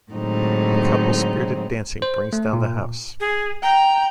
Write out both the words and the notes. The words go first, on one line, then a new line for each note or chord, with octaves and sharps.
The couple's spirited dancing brings down the house.
A2 D3 F#3 G#3 C4 D#4
C5
A3
A#2
G#4
G5 A#5